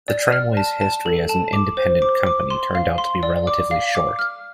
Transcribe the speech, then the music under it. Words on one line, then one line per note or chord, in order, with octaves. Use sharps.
The tramway's history as an independent company turned out to be relatively short.
D5
F6
A5
A5
A4
A5
D6
C5
D6
D6
C6
F5
C6
D5
D6
F5
D6
F6